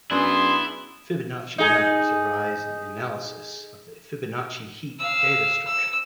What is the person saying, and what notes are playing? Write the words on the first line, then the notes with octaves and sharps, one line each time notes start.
Fibonacci numbers arise in the analysis of the Fibonacci heap data structure.
F#2 B3 D4 E4 G#4 C6
D#4 G#4
F5 E6
E6